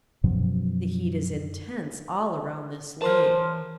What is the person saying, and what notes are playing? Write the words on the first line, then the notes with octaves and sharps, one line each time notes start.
The heat is intense all around this lake.
F#2 B2 F3 F#3
E3 A#4 C5 A5 C6 F6